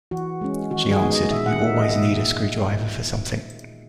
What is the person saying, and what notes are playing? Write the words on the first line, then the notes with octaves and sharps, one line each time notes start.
She answered: You always need a screwdriver for something.
E3 F#4
G#3 C#4
D#3 F#4
G#4
G#3 B3 D#4
D#5
A#2 E5
F#5
A#3 D#4 E5
D#5
A#2 E5